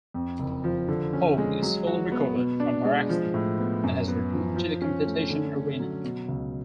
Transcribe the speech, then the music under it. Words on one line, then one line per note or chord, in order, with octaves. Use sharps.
Hoag is fully recovered from her accident, and has returned to the competition arena.
F2
F#1
F3
D3
C#4
G#3
F#3
F#4
B3
B2
D4
G#3
F3
A2
B3
F#2
B3
F3
F3
C#4
A3
D3
A3
F#3
B2
C#2